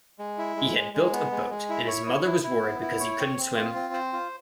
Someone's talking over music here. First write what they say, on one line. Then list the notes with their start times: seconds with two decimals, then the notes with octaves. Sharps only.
He had built a boat, and his mother was worried because he couldn't swim.
0.19 G#3
0.38 E4
0.57 G#3
0.75 G#3
0.93 G#3
1.13 B3
1.32 G#3
1.50 G#3
1.69 E4
1.88 C#5
2.06 E4
2.25 E4
2.43 E4
2.63 B3
2.81 E4
3.00 C#5
3.19 C4
3.37 C4
3.56 F4
3.75 C4
3.93 C5
4.13 F4